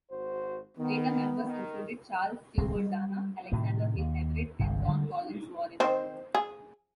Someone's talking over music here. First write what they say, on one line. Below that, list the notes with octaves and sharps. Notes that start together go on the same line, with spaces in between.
Later members included Charles Stewart Dana, Alexander Hill Everett, and John Collins Warren.
G#1 F#4 C5
D#3 B3
D#3
D1 C2 G#3 C4
G3
A2 C3 D#3
D#2
G1 C2 G2
D3 G3 G#3
D#3 C4 C5
G#4